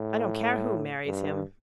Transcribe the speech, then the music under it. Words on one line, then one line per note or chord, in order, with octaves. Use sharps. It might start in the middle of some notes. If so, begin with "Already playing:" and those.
I don't care who marries him.
Already playing: A2
G2